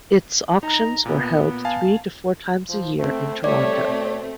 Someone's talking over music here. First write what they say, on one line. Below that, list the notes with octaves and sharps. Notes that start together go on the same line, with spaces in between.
Its auctions are held three to four times a year in Toronto.
D#4 A#5
A#2 B3
F5 G#5 A5
F3
A3 C4
G3 A3 C4 C#5 D5
B2